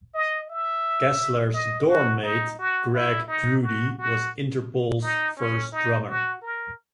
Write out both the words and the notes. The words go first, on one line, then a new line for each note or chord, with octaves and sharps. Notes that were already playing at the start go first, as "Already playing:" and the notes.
Kessler's dormmate Greg Drudy was Interpol's first drummer.
D#5
E5
D#5
F#4
D#4
F#4
E4
D#4
F#4
F#4
D#4
C#4
D#4
F#4
A#4